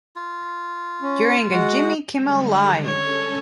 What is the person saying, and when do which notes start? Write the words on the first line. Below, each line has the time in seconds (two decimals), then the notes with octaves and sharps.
During a Jimmy Kimmel Live!
0.16 F4
1.02 C#4
1.52 G#3 F#4 F#5
2.15 D3 G3 G#3
2.85 C#4 A4 C#5